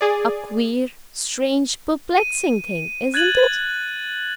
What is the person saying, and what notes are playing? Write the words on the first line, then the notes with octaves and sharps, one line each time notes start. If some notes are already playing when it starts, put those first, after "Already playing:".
A queer, strange, perplexing thing, isn't it?
G#4 D5
D#7
F#6 G#6 A6 D#7 F#7